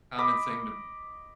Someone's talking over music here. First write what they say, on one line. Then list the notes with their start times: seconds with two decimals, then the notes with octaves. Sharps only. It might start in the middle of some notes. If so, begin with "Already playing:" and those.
common thing to
0.18 D#5 B5 D6